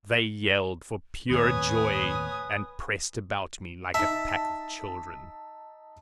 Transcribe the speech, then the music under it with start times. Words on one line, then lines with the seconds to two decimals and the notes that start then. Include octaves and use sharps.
They yelled for pure joy, and pressed about me like a pack of children.
1.30 D#2 A2 C3 B4 C#5 G#5 D#6
3.94 D#4 E5 A5